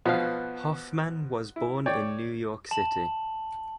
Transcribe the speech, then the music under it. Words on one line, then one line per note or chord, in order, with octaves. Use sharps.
Hoffman was born in New York City.
B2 F3 B3 F5
E4
C#5 D5 G5
A5 F#7